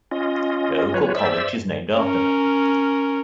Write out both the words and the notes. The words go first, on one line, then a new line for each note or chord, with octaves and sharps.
The local college is named after her.
C#4 F4 D#5
F#3 F4 B4 C#5
C5 D5 E5 E6
C#4 A#4